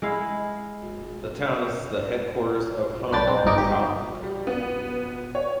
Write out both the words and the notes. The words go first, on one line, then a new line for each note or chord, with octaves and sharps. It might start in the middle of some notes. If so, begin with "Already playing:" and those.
The town is the headquarters of Honnavar Taluk.
G#3 E4 F5
B1 D4 B4 G5 A6
C4
G1 G#2 D#4 D6
G4
G3
B3
C#5